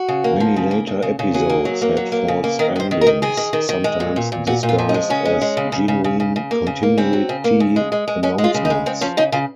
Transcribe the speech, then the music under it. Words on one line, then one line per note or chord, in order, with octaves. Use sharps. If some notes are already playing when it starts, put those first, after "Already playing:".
Many later episodes had false endings, sometimes disguised as genuine continuity announcements.
Already playing: F#4
C#3
A#3
F3
C#3
A#3
C#3
C#3
C#3
F#3 G#4
A#3
F#3
A#3
F#3
A#3
C#3
A#3
D#3 A#4
D#3 C5
D#3
A#4
D#3
D#3 G#4
D#3
D#3
D#3
G#3
A#2
A#2
A#2
A#2 F#4
A#2
F4
F3
D#4
G#3
C#3 C#4
G#3
G#3
C#3
C#3
C#3
C#3
C#3
C#3
A#3
C#3
A#3
C#3 C4
F#3
C#3
A#3
C#3
G#3
G#3
G#3
G#3 C#4
G#3
F4
C#3
D#4
G#3
C#3 C4
F3 C#4
C#3 D#4
C#3 F4